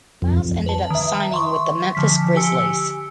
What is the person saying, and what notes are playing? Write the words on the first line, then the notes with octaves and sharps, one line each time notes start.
Miles ended up signing with the Memphis Grizzlies.
F2
B4 A5
D#3 E5
E5 C6 C#6
D3 F3 B6
G4 G#5 E6 C#7